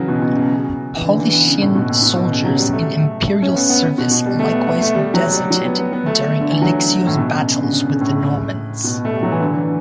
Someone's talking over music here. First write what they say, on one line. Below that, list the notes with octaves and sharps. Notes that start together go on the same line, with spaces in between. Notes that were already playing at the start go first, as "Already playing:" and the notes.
Paulician soldiers in imperial service likewise deserted during Alexios' battles with the Normans.
Already playing: C#3 E3 F#3
B2
B2
C#3
E3
D3
E3
B3
C#3
A2
B2
A2
B2
B2
C#3
F#3
G3
A3
C#4
B3
B3
B2
B2
G3
A3
B3
B3
A3
G3
F#3
G3
F#3
B3
B3
B3
A3
D3
E3
F#3
A2
B2
C#3
D3
C#3
A2
B2
A3
G3
F#3
E3
D3
E3